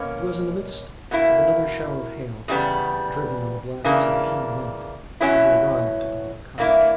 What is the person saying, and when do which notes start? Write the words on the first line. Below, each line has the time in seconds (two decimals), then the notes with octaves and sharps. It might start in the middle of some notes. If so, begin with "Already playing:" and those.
It was in the midst of another shower of hail, driven on the blasts of a keen wind, that we arrived at the little cottage.
Already playing: B2 A#3 C#4
1.11 B2 A#3 E4
2.48 E2 C#3 G3 B3
3.84 C#3 E3 A#3 D4
5.21 E2 B2 F#3 C#4 E4
6.58 G2 E3 A#3 E4